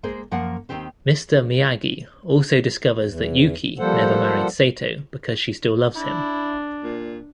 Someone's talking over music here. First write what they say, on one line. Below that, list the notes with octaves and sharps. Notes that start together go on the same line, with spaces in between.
Mister Miyagi also discovers that Yukie never married Sato because she still loves him.
G#3 A#3 G#4 C5
F#2 F3 A#3 A#4 F#5
D#2 C3 D#3 C4 G4 C5
E2
F3 G3 A#3 A4 C5 F#5
D4 E4
A#2